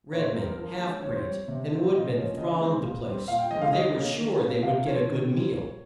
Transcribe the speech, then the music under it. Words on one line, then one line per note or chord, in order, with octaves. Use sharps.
Red-men, half breeds, and wood-men thronged the place, where they were sure they would get a good meal.
A#2 C#5
C5
G3 C4 A#4
A#4
F3 A#4
G#3 C#4
D#3 C#5
C5
C#5
G3 C4
C3
F3 C4
A#2 D#5
F3 A#3 C#4
C#3 D#5
G#3 C4
A#2
G3 C4
A#2 F5
G5
F3 G#3 D#5
F5
D#3 D#5
A#3 C#4
D#3
A#3 C#4
C3 F5
F3 C4 C#5
D#3
G3 C4
A#2